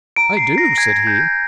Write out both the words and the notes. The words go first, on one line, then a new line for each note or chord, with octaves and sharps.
"I do," said he.
A#5 D7
C7
A#5
A#6
G#5 G#6
G#5 G6